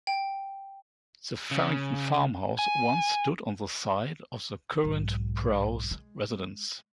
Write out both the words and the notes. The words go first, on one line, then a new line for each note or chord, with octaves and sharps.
The Farrington farmhouse once stood on the site of the current Prowse residence.
G5
C#3
G#5
B1 G#2
G#3